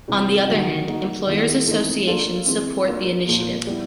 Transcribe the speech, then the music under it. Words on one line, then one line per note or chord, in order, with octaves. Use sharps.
On the other hand, employers’ associations support the initiative.
C3 E3 G3
D3 F#3 A#3 D#4 F#4
A#3 D#4 F#4
D#3 G#3 B3 E4 G#4
E3 A3 C4 D#4
A#3 D4 F4 A4
E3 G#3 C4
A#3 D4 F4 A#4
A#2 F3 A#3
G3 B3 E4